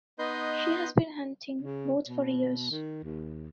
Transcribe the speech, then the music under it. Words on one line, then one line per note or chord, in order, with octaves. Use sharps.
She has been hunting both for years.
B3 D#4 B4 D#5 C6 G6
C#3
B2
D#3
D#2